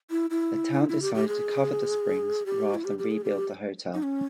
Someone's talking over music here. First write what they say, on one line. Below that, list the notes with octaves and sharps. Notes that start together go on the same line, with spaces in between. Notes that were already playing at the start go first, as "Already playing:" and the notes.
The town decided to cover the springs rather than rebuild the hotel.
E4
E4
E4
G4
G4
G#4
G4
E4
G4
G4
G#4
G4
D#4
C#4